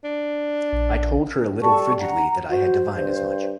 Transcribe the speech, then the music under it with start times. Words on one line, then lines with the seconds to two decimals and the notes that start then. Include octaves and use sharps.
I told her a little frigidly that I had divined as much.
0.04 D4
0.73 A#1
1.62 G3 A4 A5 C#6
1.99 F#5 A#5
2.50 F#4 C5
2.97 G2